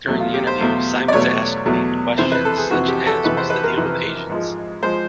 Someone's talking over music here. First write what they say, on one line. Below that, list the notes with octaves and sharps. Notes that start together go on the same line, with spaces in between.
During the interview, Symons asked Wang questions such as What's the deal with Asians?
E2 B2 F#3 A3
F4
G4
C5
E2 B2 F#3 A3
D5
E2 B2 F#3 A3 C#5
E2 B2 F#3 A3
F2 C3 E3 C5
B4
A4
G#4
F2 C3 E3 F#4
G4
A4
F2 C3 E3 B4
C5
B4
A#4
F2 C3 E3
G#2 F3 G#3
F3 G#3 C5